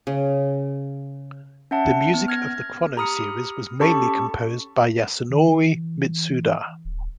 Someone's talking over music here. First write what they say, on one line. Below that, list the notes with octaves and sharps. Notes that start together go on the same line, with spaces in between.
The music of the "Chrono" series was mainly composed by Yasunori Mitsuda.
C#3
C#4 E5 F#5 A5
B3
F6 G#6 A#6
G4 A#5 B5 D#6 F6 C#7
C#4 G4 A4 A5 B5 C#6
D#3
E3
D1